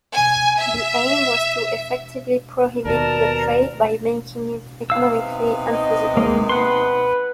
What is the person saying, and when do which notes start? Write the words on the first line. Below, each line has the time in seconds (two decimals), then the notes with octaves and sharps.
The aim was to effectively prohibit the trade by making it economically unfeasible.
0.11 G#5
0.57 E5
2.85 D#2 B2 A#4 D5 A5
4.90 C3 B3 D#4 F5 E6
5.71 D#5
6.17 G#3 A#3
6.49 B4 F#5 C6